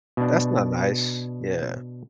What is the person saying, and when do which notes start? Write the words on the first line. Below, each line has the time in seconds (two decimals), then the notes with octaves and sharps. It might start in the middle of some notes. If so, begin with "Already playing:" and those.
That's not nice. Yeah.
0.17 B2 D4